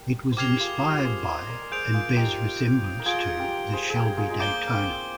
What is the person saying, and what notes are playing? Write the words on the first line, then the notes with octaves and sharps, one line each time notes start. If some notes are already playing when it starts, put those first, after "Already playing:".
It was inspired by and bears resemblance to the Shelby Daytona.
Already playing: G4 A#4
C5
G4 A#4 D6 F6 G#6 C7 F7
G4
F4 G#4
G4 A#4
G#4 C5
C5 D#5
A#4 D5
A#4
G#4 C5 G6 D7 F7
F4 G#4
D#4 G4
A#4
F4 G#4 G#6 D7 G7
G4 A#4
G#4 C5
G#4
G4 A#4
F4 G#4
G#3
A#3 D6 G6 D7 G7
C4